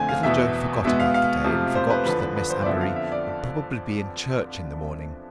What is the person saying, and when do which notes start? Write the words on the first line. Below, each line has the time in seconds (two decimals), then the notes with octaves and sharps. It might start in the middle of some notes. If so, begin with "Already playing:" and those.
Little Joe forgot about the day, and forgot that Miss Amory would probably be in church in the morning.
Already playing: F2 D3 A3 C4 G#5
0.09 F5
0.23 E2 B2 B3 E5
0.85 B2 G#3 B3 E5
1.00 F5
1.14 F5
1.44 F2 C3 F3 A3
1.75 C5
1.90 B4
2.05 E2 D3 F3 B4
2.21 B4
2.36 B4
2.50 C5
2.62 D5
2.66 F2 D3 F3 B3 E5
2.81 F5
2.96 E5
3.12 D5